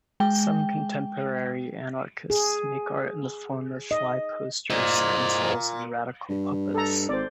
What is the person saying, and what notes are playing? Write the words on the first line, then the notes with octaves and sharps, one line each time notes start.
Some contemporary anarchists make art in the form of flyposters, stencils, and radical puppets.
G#3 G5
G#4
D#5
A#2 C5 D#5
G2
A4 A#5
G#1 C5 D5